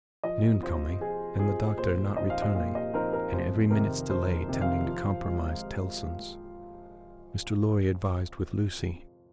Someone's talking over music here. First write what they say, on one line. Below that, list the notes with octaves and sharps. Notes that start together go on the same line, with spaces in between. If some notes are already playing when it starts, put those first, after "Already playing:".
Noon coming, and the Doctor not returning, and every minute's delay tending to compromise Tellson's, Mr. Lorry advised with Lucie.
F3 D#5
C4 F4 C5
F3 G#4
C4 F4 G#4
A#2 C5
F3 C4 D#4 D#5
F5
D#5
A#2 F5
D#5
F3 C4 D#4 A#4
A#4
F2 C5
C3 D#3 A#4
F2 C5
C3 D#3
F5
F3
G#3 C4 F4